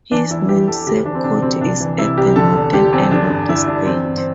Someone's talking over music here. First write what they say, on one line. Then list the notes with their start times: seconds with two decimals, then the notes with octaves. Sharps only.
His namesake county is at the northern end of the state.
0.11 E3 D4
0.30 E2 E4
0.48 E3 G4
0.67 E2 A4
0.87 D2 G4
1.05 E3 D4
1.15 C4
1.24 C3 D4
1.42 D2 C4
1.61 C2 D4
1.80 E3
1.98 C3 E4
2.18 C2 G4
2.36 D3 A4
2.55 E2
2.73 D3 G4
2.93 E2 C4
3.11 D3 D4
3.30 G2
3.49 D3 E4
3.68 G2 D4
3.86 E3 C4
4.05 G2
4.17 C4